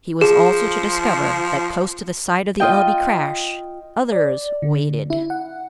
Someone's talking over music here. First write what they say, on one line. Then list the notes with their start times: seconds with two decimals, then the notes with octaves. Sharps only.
He was also to discover that close to the site of the L-B crash others waited.
0.21 F3 G#4
2.60 F4 D#5 G5
4.12 D5
4.62 D3
5.10 E4
5.30 F#5